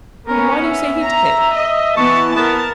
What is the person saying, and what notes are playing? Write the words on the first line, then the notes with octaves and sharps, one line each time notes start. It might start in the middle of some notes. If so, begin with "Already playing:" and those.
"Then why do you say he did?"
B3 C#4 A#4
E5
A#5
D#5
E3 B3 A5 C#6
B3 A#4 A5